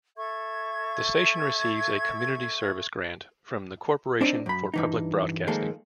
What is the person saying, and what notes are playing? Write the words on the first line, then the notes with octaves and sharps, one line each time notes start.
The station receives a Community Service Grant from the Corporation For Public Broadcasting.
A4 E5 C#6 G#6
C4 D4 D#4 C5 D5
F#2 B5
G2 E3 D#4
D#3 F3 G#3 A#3 A4